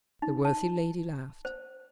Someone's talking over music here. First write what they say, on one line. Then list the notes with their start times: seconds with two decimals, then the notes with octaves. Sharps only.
The worthy lady laughed.
0.22 D#4
0.45 A5
1.45 C5